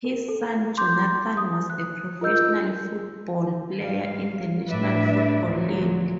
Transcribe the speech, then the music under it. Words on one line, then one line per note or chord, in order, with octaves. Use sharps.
His son Jonathan was a professional football player in the National Football League.
A#4
A4
C6 D6 G6
D#6
F#6
F4 A#4 D#5 E6 G6
G#2 F5
A2 D4 B4 D5 E5
D2 A#2 F3 F#3